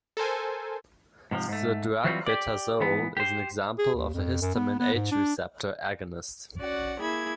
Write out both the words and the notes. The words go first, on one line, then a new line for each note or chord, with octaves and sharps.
The drug betazole is an example of a histamine H receptor agonist.
A4 A#4 C5 G#5
G#2 C3 E3 F3
G#2 A3
E3 F#3 G3 C4 F4 F#4
G4 D5
G#2 E3 B3
G4 C5
G#4
D#2
F2
F#2
B3
B3
G#2
D4
C#4 F#4 D5 F#5
A#3 E4 G#4 B5 G#6